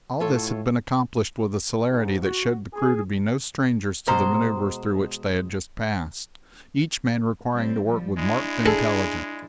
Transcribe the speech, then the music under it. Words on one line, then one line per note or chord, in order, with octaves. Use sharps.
All this had been accomplished with a celerity that showed the crew to be no strangers to the manouvres through which they had just passed, each man requiring to work with marked intelligence.
A2 F4 A4 C#5
G#2
F#4
G#4
B2 G#3 C5 A#5
G3 C4
F3 G3
G#3 D4 E4
G#4 A4